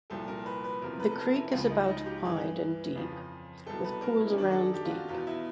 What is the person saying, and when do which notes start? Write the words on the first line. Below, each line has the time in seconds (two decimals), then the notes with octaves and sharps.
The creek is about wide and deep with pools around deep.
0.10 C2 A#2 F3 A4
0.28 A#4
0.46 B4
0.64 B4
0.81 E2 C3 F3 A#4
1.00 B4
1.11 A4
1.18 A#4
1.35 E4
1.53 C#2 C#3 F3 F4
1.71 D#4
1.88 D#4
2.06 G4
2.23 G2 E3 G#4
2.95 F2 C#3 F3
3.67 C2 B2 A4
3.84 B4
4.02 A#4
4.20 E4
4.30 C#4
4.37 F#2 D#3 D4
4.51 A4
4.56 G#4
4.74 G4
4.85 F4
4.90 F#4
5.08 E2 B2 F4
5.27 E4